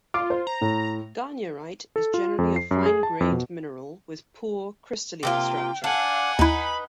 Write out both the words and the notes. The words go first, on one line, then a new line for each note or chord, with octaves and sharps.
Garnierite is generally a fine grained mineral with poor crystalline structure.
F4 D6
C5
A#5
A2
A4
F4
F2
C7
F#2
G#4
A5
F2
B2
C3 A#3 F4 G5
D4 F5 F#5 G#5
D#2 D#4 E4 B4 B5